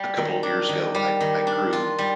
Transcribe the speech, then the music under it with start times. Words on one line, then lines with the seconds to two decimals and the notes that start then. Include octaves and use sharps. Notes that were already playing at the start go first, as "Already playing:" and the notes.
a couple of years ago, I I grew
Already playing: G3
0.17 D#3
0.43 D4
0.69 D#3
0.94 G3
1.20 D#3
1.47 D4
1.73 F4
1.99 G3